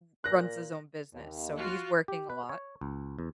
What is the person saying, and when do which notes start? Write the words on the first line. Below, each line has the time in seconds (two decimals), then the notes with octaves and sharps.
r runs his own business, so he's working a lot.
0.24 A#2 F#6 A#6
1.14 D#2
1.56 F4 F#4
2.08 G4
2.30 B4
2.49 C#5
2.81 C#2
3.19 E2